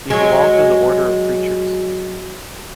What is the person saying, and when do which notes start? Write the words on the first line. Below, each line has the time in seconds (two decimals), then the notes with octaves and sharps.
He belonged to the order of preachers.
0.10 F#3 G#3